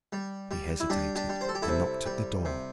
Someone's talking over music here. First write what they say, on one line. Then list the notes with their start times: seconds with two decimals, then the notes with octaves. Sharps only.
He hesitated, then knocked at the door.
0.12 G3
0.51 G3
0.80 E4
0.90 G3 D4 G4
1.15 D4 G4
1.29 G3
1.41 C5
1.49 A4
1.55 G4
1.62 E4 A4
1.68 C3
2.06 G3
2.45 C3